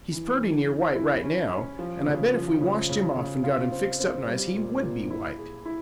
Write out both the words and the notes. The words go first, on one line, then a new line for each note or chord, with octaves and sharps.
He's perty near white right now, and I bet if we washed him off and got him fixed up nice he WOULD be white.
E3
E3
E3
E4
C#4
C#4
F3
C#3
F3
C#3
C#3
C#3
F4
C4
C4
G3
A#2
A#2
E4
G#4
E4